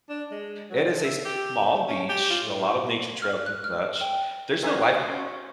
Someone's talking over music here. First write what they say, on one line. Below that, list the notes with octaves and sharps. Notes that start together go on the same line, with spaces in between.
it is a small beach, and a lot of nature trails and such. There's no lifeguard.
D4
G#3
F#3
E5
G4
A3
C#4
G4
F4
A2
F6
F#6
F6
G5
C#4 D#4 F#4 A#4 C5 E5 G#5